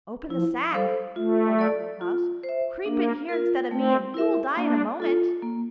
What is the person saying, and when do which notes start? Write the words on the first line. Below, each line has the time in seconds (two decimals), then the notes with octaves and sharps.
'Open the sack,' called out Little Klaus; 'creep in here instead of me, and you will die in a moment!'
0.30 F3 E4
0.73 G3 A4 C5 F5
1.16 A3 F4
1.59 A4 D5
2.01 F4
2.44 C5
2.49 E5
2.86 A#3 D4
3.29 F4 A#4
3.71 A3 C4
4.14 E4 A#4 E5
4.56 A#3 D4
5.00 F4 A4
5.42 A#3